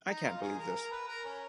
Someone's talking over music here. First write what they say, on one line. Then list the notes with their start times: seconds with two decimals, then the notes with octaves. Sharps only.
I can't believe this.
0.09 D#4
0.25 F4
0.41 G#4
0.59 A#4
0.75 A#4
0.91 B4
1.07 A#4
1.25 C#4